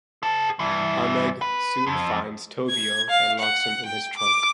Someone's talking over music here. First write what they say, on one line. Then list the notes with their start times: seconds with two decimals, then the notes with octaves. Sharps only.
Hamegg soon finds Tobio and locks him in his trunk.
0.23 G#4 A5
0.59 G2 E3
1.42 B4
1.87 F2
2.70 G#6
3.10 F5
3.39 F#5
3.86 G5
4.17 D6